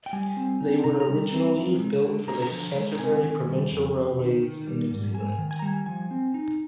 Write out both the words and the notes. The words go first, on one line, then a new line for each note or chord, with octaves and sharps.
They were originally built for the Canterbury Provincial Railways in New Zealand.
G5
G3 G#5
C4
D#4
C3 A#5
A#5
G3
C4
F3
G#3
D3
D3 A#5
A#5
F3
G#3
C3 G#5
D#3
G3
F2
C3
D#3
D#3
G3
G#2
G#2 G#5
D#3
G#5
G3 A#5
G#5
F3 G#5
C4
D#4